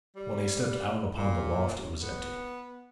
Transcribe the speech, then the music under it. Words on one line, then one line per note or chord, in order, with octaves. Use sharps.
When they stepped out upon the loft it was empty.
G3
A#2
B3